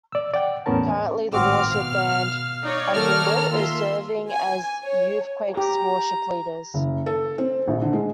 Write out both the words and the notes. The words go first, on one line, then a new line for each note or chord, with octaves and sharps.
Currently, the worship band Unhindered is serving as YouthQuake's worship leaders.
D5 E6
D5 F#5 G5
E2 A2 B3 C#4 A#4 A5
G#1 A2 C4 F#4 D6 F6
B2 F5
D#4 C#5 D5
D#3 A#3 A4 A#5 F6
F4 E5 C6
G#5
C#5
G4 A#5
F#1
A4
C4
A#1
D3
G#3